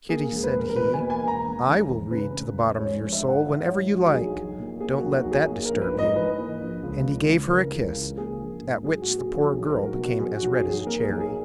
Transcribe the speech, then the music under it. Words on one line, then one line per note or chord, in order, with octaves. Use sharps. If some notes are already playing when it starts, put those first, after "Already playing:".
"Kitty," said he, "I will read to the bottom of your soul when-ever you like; don't let that disturb you." And he gave her a kiss at which the poor girl became as red as a cherry.
A#3 G#4
E1
B4
E2 A#4
A#4
B2 B4
G#5
A#3
G#5
E1
A#5
E1
E1
D#2
C#3 B4
E1
E1
G#3 C#5
C#5
A#1
E5
G#2
F#5
E3 E5
C#5
G#3
A#1
F#4
B1 G#4
B1
A#2
A#3 G#4
F#4
B1
F#4
B1
G#4
A#3
A#1 A#4
B4
G#2
D#5
E3 B4
A#3
A#1
C#2
C#2
C#3
E3 A#4
C#2
C#2
A#3 G#4
A#1
G#2
F#3 G#4
F#4
A#3
G#4
A#1
F#4
B1 G#4
A#4
B1
F#4
B2
F#4
F#3 G#4
F#4
B1
G#4
B1
G#4
A#3 A#4
G#4
B1
G#4